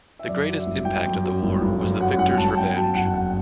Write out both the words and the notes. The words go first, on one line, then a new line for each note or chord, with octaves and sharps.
The greatest impact of the war was the victor's revenge.
E5
F#2 D5
F#3
E5
G1
G1 G5
F#2
F#3
G1
G1
F#2
F#3 F#5
G1 F#5
G1 A5
A5
F#2 G5
F#3 A5
F#1 F#5
F#1 F#5